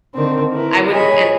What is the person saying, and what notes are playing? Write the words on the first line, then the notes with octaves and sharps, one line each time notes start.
I wouldn't an
D3 D#3 C4 D4
E4 A#4 B4
G#4 C#5 D#5 G#5 B5